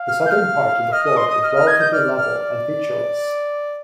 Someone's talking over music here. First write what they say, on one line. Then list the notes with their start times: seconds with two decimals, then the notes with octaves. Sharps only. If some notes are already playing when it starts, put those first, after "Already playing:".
The southern part of the floor is relatively level and featureless.
Already playing: F5
0.08 F6
0.26 G6
0.30 F6
0.42 F5
0.92 D#5 F6
1.05 D#6
1.17 C6
1.30 D#6
1.43 F6
1.55 F6
1.67 G#6
1.80 G6
1.92 D5 F6
2.18 F6